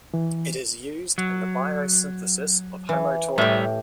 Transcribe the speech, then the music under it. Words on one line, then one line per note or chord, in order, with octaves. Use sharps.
It is used in the biosynthesis of homotaurine.
E3
F#3
E3
A2 G3 G4 E5